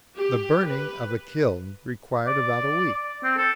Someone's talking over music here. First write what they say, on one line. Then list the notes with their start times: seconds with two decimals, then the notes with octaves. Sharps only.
The burning of a kiln required about a week.
0.16 G4
0.67 B4
2.27 D5
3.24 C4
3.38 A4